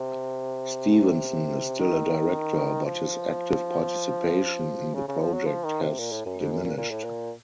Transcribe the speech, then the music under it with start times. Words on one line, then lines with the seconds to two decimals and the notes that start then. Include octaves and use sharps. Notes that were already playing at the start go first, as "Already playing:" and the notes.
Stevenson is still a director, but his active participation in the project has diminished.
Already playing: C3
1.80 D#3
2.85 F3
4.95 C#3
5.08 C#3
5.21 F3
5.34 F#3
5.47 F3
5.64 D#3
5.82 C3
5.99 A#2
6.12 A2
6.26 F#2
6.39 F2
6.52 F#2
6.65 A#2
6.78 A#2
6.91 A2
7.04 A#2